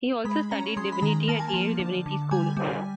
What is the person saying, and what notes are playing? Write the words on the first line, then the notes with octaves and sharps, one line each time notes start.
He also studied divinity at Yale Divinity School.
G#3 B5
C#4 A#5
G#3 C6
B5
D#3 A#5
A#3 A5
G#5
A5
F3
D3
D3
G3 G#5
G3